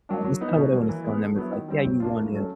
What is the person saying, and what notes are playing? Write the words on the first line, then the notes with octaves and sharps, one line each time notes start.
uh, that's kind of what I wanna instill in them. It's, like, yeah, you wanna,
F#3 A#3 D4
F#3
B3 D#4
B2
F#3 A#3
E3
G#3 B3
D3
F#3 B3 E4
D#3
G3 C4 E4
F#3
A#3 D4 F4
A2
F#3 A3 C#4